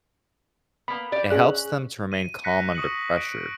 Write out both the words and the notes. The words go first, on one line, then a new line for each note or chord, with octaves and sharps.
it helps them to remain calm under pressure,
A#3 B3 B5
G4 D5
C#4 G#4 F#6
D#7
F#6 A#6 B6 C#7
C#6 D#6 C#7 F#7
D7